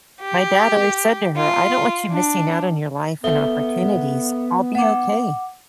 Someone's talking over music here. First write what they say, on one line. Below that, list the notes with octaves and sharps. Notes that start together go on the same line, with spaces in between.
My dad always said to her, "I don't want you missing out on your life and opportunities. I'll be okay."
G4
F4
D4
B3 A4 E5 G7
F#5 D6